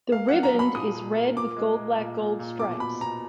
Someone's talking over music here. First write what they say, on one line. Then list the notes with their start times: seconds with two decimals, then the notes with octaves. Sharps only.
The "riband" is red with gold-black-gold stripes.
0.12 A#3 F5
0.29 F#3 F#5
0.43 A#5
0.54 F#3
0.59 B5
0.75 A#2 D#6
0.95 A#2
1.16 A#3
1.36 A#2 D6
1.57 G#3
1.77 A#2
1.98 A#2
2.19 A#2
2.39 A#2
2.59 B2 D6
2.80 B2 B5
3.01 B2 A#5